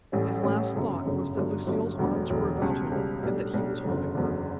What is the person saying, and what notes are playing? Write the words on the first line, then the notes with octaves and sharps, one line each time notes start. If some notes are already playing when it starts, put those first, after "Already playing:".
His last thought was that Lucille's arms were about him, and that he was holding her.
A1 A2 G3 C#4
A1 A2 G3 C#4
G1 F#2 C#3
G1 F#2 C#3
G1 G2 F#3
G1 G2 F#3
E1 D2 D3 F#3
E1 D2 D3 F#3
C#2 B2 G3
C#2 B2 G3
B1 A2 G3 D4
B1 A2 G3 D4
F#1 E2 D3 F#3
F#1 E2 D3 F#3